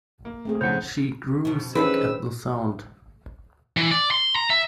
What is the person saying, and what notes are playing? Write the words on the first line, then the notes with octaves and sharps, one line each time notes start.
She grew sick at the sound.
A#3
A3 C4 G#4
F2 G#2 C#3 C5 F#5
F2 B2
D2 D#3 F3 G3 C#4 G#4 B4 E6
E3
D5
C6
A#5
E5